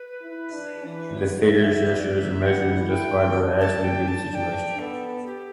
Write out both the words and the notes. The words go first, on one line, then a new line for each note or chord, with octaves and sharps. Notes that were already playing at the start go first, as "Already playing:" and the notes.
The figures’ gestures are measured and justified by the action of the given situation.
Already playing: B4
E4
D4
E3
F#3
E5
E5
D5
E5
G3 F#5 G5
E4
G5
D4
A5
G5
A5
D4 G5 A5
B3 A4
G4